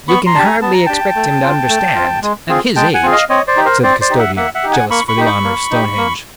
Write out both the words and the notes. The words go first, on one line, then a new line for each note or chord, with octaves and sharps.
"You can hardly expect him to understand--at his age," said the custodian, jealous for the honor of Stonehenge....
B3 B5 C#6
A#5 C6
D4 G4 A5
G#5 A#5
B3 A5
A#5
D4 G4 G5 A5
A3
C4 F4
A3
C4 F4
G#3
C4 F4 G#4
G#3 G5 A5
F#5 G#5
C4 F4 G#4
D#5 F5
C4 C#5 D#5
C5 D5
D#4 G4
A#4 C5
C4 C5 D5
C5 D5
D#4 G4
E5 F#5
A#3 E5 F#5
E5 F#5
D#4 G4
F#5 G#5
A#3 B5 C#6
B5 C#6
D#4 G4
B5 C#6
A#3
D#4 G4
A#3